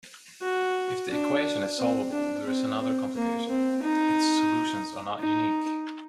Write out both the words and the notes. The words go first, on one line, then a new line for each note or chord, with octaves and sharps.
If the equation is solvable, there is another complication: its solutions are not unique.
F#4
D4
C4
D4
C4
C4
A#3
C4
D#4
D#4